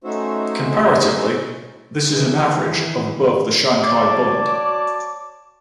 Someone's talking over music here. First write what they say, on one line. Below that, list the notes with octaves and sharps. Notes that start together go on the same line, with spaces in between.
Comparatively, this is an average of above the Shanghai Bund.
A3 C#4 D#4 F#4 C5 E5
D#3 E3
F#4 C#5 D5 A5 D6